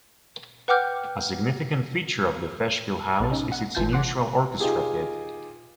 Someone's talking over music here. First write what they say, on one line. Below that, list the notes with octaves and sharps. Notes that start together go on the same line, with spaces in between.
A significant feature of the Festspielhaus is its unusual orchestra pit.
B4 F#5 G5 D6 F6 G6
A#1 B3 A5
C#4 D#4
F#5
G1 E3 F4 G#5 A5 G6
F#5 C6 D6 F#6
D#4 F4 G4 G#4